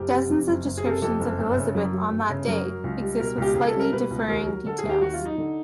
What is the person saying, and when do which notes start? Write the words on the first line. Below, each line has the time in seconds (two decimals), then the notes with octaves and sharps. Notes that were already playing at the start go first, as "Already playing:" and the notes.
Dozens of descriptions of Elizabeth on that day exist with slightly differing details.
Already playing: F#1 G4
0.11 C3
0.29 F2
0.48 F#1
0.65 F#1
0.78 G#4
0.84 C3 A#4
0.90 A4
1.02 F2 A4
1.20 F#1
1.38 G1
1.56 C#3
1.75 F#2
1.92 F#3
2.11 G1
2.29 C#3
2.47 F#2 A#4
2.65 F#3
2.84 C#2
3.01 G3
3.20 B2 A#4
3.38 C#2 G4
3.54 C#2 G#4
3.67 A4
3.74 G3
3.80 A#4
3.93 B2 B4
4.10 C#2
4.29 D#2 A#4
4.47 F#3
4.65 D3 A4
4.78 G#4
4.83 D#2
4.89 G4
5.01 D#2 F#4
5.13 F4
5.20 F#3
5.25 D#4
5.38 D3